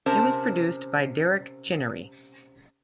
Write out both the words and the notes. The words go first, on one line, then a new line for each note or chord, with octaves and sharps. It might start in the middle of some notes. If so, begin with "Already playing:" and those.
It was produced by Derek Chinnery.
C3 C#4 A#4 C5 A5